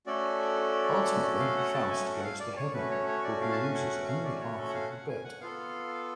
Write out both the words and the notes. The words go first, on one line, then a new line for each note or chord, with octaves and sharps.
Ultimately, Faust goes to Heaven, for he loses only half of the bet.
A3 C#4 F#4 A4 D5
F5
F#5
A5
G#5
F#5
F5
D5
C#5
A3 C#4 F#4 B4
C#5
C#5
D5
F5
A5
G#5
F#5
F5
D5
C#5
A4
F#5
F5
F#5
G#5
F#5
B3 F4 A4 F5